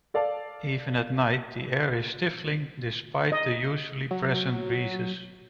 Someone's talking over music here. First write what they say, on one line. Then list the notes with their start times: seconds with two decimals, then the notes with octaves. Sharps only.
Even at night the air is stifling despite the usually present breezes.
0.14 A4 D5 F5 A5
3.32 D#5
4.11 F#3